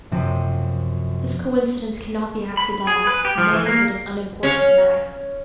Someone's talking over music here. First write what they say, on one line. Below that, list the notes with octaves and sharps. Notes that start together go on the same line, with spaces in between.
This coincidence cannot be accidental, nor is it an unimportant matter.
F#2 C3 F3 C4 D#7
B5
G#4
B4
G4
F3
E3
A#3
C#4 C#5 F5